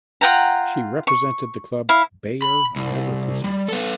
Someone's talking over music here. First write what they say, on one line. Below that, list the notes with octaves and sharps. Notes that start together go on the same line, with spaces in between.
She represented the club Bayer Leverkusen.
F4 F#5 G5 A#5
C#6
E4 F5
B5
C2
G3
B3 A4